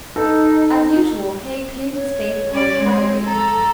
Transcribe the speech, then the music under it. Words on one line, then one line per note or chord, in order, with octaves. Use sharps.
As usual Haig pinned his faith upon the cavalry.
D#4 A4
C#5
C#4 D5
G#3 C4
A4 A#5